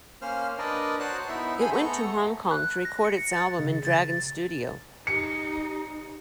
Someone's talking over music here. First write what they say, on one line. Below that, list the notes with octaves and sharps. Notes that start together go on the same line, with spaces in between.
It went to Hong Kong to record its album in Dragon Studio.
A#3 C#4 C5 F6
D4 A#4 B4 D5 D#5
F#4 C5 C#5 A5 F#6
B3 D#4 E4 E5
G#4 A4 C5 G#5 B5
A3 B3 A4 A#5 C#6
F#6
A#6
C#7
A6
C#3
A6
D#4 G4 C#7